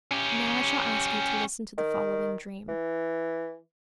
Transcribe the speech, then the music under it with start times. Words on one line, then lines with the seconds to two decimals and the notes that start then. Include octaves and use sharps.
And now I shall ask you to listen to the following dream.
0.11 C#4 G4
1.78 D#3
2.68 E3